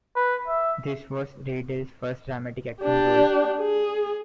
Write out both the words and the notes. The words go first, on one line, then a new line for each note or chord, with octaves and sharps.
This was Rydell's first dramatic acting role.
B4
E5
D4 G4
G#4